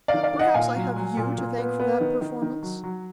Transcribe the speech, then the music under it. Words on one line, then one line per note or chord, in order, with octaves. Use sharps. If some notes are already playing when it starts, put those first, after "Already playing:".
Perhaps I have you to thank for that performance?
D5 F5
D#3
D5 F5
D#3
D#5 F#5
A#2 F5 G#5
F#3
F#3
A#2
A#2
B3
B3
D#3
D#3
D#3
F#3
F#3